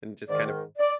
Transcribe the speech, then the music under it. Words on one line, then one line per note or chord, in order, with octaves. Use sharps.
And just kind of
G#2 D#3 D5
D5